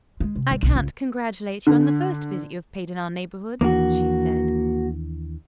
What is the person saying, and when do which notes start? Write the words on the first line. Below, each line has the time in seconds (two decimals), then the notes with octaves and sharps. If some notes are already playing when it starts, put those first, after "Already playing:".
"I can't congratulate you on the first visit you have paid in our neighborhood," she said.
0.20 G#3
0.36 C3
0.51 G3
0.63 B1
0.76 C#2
1.67 D3
3.61 D#2 E3 A#3 D4 F#4